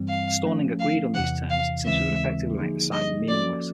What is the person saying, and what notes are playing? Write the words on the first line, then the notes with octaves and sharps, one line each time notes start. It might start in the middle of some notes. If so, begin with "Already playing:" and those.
Stauning agreed on these terms, since it would effectively make the signing meaningless.
Already playing: G2 E3 G3 C4
F5
F3 A3 C#4
F5
E2 C3 E3 F#5
F5
D#2 C#3 E3 G#3 C4 E5
D3 F3 A#3 D#4 G#4
D#5
F3 A#3 C#4 F#4 A4 D5